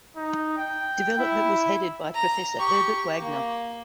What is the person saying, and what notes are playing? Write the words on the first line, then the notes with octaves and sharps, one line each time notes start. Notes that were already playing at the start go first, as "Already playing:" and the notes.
Development was headed by Professor Herbert Wagner.
D#4
G5
E4
A#5
G4 C#6
A#3